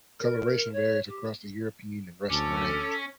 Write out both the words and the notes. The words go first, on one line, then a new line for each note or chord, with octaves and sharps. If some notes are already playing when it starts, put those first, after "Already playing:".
Colouration varies across their European and Russian range.
A#4
C#5
G4
D2 C#4 A4 D6